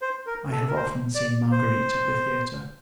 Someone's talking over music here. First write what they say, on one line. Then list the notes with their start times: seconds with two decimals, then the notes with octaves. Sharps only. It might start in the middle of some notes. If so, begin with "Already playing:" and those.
I have often seen Marguerite at the theatre.
0.02 C5
0.27 A#4
0.51 A4
0.68 A#4
0.76 C5
1.15 D5
1.52 C5